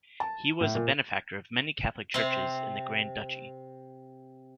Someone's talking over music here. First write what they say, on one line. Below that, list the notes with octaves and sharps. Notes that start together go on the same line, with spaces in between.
He was a benefactor of many Catholic churches in the Grand Duchy.
A5
A2
A#2
C3 C4